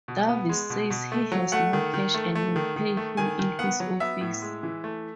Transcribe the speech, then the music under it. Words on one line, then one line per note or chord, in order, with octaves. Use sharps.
Davis says he has no cash and will pay him in his office.
B2
B3
G#3
B2
B2
A3
F#3
A3 F#5
D#3
D#3
A3
A3
D#3
D#3
A3
D#3 G#5
D#3
B3 F#5
F#3
B3 E5
A2
G#3
E3
A3